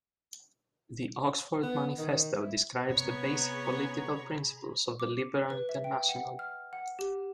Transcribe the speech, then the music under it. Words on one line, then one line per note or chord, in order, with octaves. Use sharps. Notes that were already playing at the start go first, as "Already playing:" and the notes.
The Oxford Manifesto describes the basic political principles of the Liberal International.
B3
D#3
E4
C3 B3 G#4 C#5 A#5 B5 C#6
D6
B4
E5
G5
F#5
F6
F#5
G4